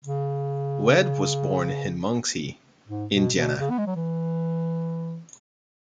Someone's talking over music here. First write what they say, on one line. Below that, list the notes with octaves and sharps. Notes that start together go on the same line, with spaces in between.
Wead was born in Muncie, Indiana.
C#3
G#2
B2
B2
C#3
B3
G#3
F#3
E3